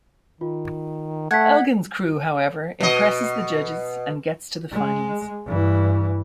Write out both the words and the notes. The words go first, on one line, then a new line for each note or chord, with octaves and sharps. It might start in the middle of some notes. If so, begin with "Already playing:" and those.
Elgin's crew, however, impresses the judges and gets to the finals.
D#3 F4
A3 F#5 G#6 B6
B2 D#5
G#3
G2 E3